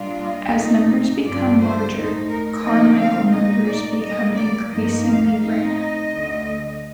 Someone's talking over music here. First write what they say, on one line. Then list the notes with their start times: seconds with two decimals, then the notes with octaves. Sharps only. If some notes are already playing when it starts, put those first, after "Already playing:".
As numbers become larger, Carmichael numbers become increasingly rare.
Already playing: A#2 G3 D4 F4
0.21 D#5
0.55 A#2 A3 D#4
1.24 G2 D3 G3 D4 F4 D5
1.58 C5
1.93 A2 A3 D#4
2.29 A#4
2.62 D3 F3 A3 C4 D#4 D#5
2.97 F5
3.31 A#2 A3 D#4 D#5
3.66 D5
4.01 A2 G3 A#3 D#5
4.36 D5
4.70 G2 F3 A#3 D#4 D#5
5.06 F5
5.39 A2 A3 C4 D#4
5.75 D#5
6.08 D2 D3 A3